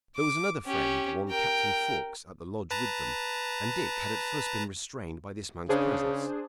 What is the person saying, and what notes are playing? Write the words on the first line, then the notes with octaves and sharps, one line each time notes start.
There was another friend, one Captain Fawkes, at the Lodge with them, and Dick had at first been restrained by this man's presence.
D6
C#4 G4
A#4 G5
B4 A5 A#5
C#3 D4 G#4 C5